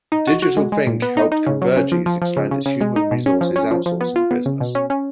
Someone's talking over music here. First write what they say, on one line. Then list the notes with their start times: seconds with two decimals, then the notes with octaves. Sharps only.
DigitalThink helped Convergys expand its human resources outsourcing business.
0.12 D#4
0.27 F#4
0.42 F#4
0.57 G#3
0.72 G#3
0.87 A#2
1.02 B3
1.17 D#4
1.32 D#4
1.47 C#3
1.62 F#3
1.76 C#3
1.92 F3
2.06 F3
2.22 F3
2.37 C#3
2.51 C#3
2.66 C#3
2.81 G#3
2.96 D#4
3.11 B2
3.26 C#4
3.41 F3
3.56 C#4
3.71 F3
3.86 F3
4.01 B3
4.16 F4
4.31 B3
4.46 C#3
4.60 B2
4.75 C#4
4.90 C#4